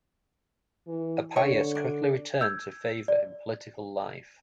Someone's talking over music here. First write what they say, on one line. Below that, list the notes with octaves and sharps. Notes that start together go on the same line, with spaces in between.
Appius quickly returned the favour in political life.
E3
D3 C#5
D4
E6 G6 G#6
D5